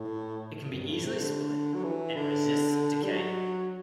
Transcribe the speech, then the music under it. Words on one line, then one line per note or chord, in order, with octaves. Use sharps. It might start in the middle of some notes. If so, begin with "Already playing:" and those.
It can be easily split and resists decay.
Already playing: A2
F#2
G2
A2
C3
D3
F#3
E3
D3
G3
F#3